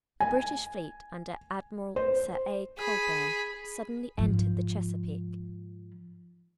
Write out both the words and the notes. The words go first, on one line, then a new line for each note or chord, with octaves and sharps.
The British fleet under Admiral Sir A. Cockburn suddenly entered the Chesapeake.
G#5
C5
G#4 B5
G#2 F3